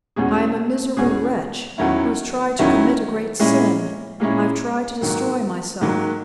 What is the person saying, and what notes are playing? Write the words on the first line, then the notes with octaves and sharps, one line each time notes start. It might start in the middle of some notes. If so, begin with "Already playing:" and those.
I am a miserable wretch who has tried to commit a great sin--I have tried to destroy myself.
E2 B2 G#3 C#4 G#4
E2 B2 G#3 C#4 G#4
E2 D#3 F#3 C#4 E4
E2 D#3 F#3 C#4 E4
A#2 G#3 C#4 E4
A#2 G#3 C#4 E4
G#2 D#3 F#3 A#3
G#2 D#3 F#3 A#3